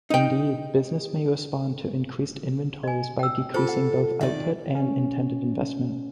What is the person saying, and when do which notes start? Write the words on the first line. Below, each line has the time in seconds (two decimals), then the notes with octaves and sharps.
Indeed, business may respond to increased inventories by decreasing both output and intended investment.
0.10 D#4 G5
2.83 D#5 G#5
3.19 G5 E6
3.54 F4 G#4 A4 C5
3.69 F#5
4.21 D#3 D5 E5
4.75 C#4